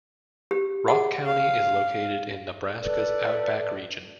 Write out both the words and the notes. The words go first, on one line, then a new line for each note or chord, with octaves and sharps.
Rock County is located in Nebraska's Outback region.
G4
G#4 F#5
F5
A4 B4 D5